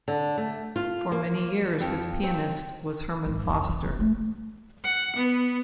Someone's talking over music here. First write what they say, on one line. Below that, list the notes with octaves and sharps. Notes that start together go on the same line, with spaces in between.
For many years his pianist was Herman Foster.
D3
A3
F4
A#3
F2
C4
G#1 F#3
F2 E3
E2
F#1
A3
F#5
B3